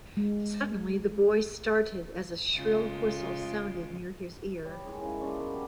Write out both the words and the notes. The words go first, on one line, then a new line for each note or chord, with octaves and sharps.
Suddenly the boy started as a shrill whistle sounded near his ear.
G#3
C#3 G#3 F4
G3 C#5
D#3 G#3 E4 G#4
C#3 C#5
G#3 A#3 C#4 D4
F#3 B3 A#4
G4